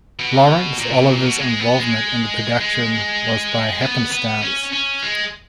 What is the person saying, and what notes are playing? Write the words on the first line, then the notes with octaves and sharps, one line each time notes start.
Laurence Olivier's involvement in the production was by happenstance.
B2
A#2
B2
A#2
B2
G#3
B3
G#3
G#3
B3
B3
C#4
C#4
G#3